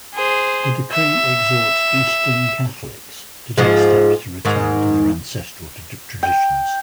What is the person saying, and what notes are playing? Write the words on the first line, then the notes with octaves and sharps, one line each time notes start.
The decree exhorts Eastern Catholics to take steps to return to their ancestral traditions.
G#4 C5
E5
G#2 F3 G#3
G#2 D#3
G5